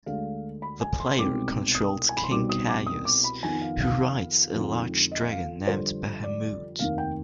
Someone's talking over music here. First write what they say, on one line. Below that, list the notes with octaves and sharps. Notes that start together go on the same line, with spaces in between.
The player controls King Kayus, who rides a large dragon named Bahamoot.
D2 D3 G#3 F5
B5
G#5
C6
C2 B2 G#3 C4 D#4 D6
D#6
G#5
B5
C6
C2 B2 G3 C4 D#4 D6
D#6
D6
D#6
D6
B5
F2 D#3 B3 D#4 G#5
F5
F5
F2 D3 G#3 C4 D#4
D#5
F5
F2 D3 G3 C5
D5
F1 D#2 D#3 F5
G5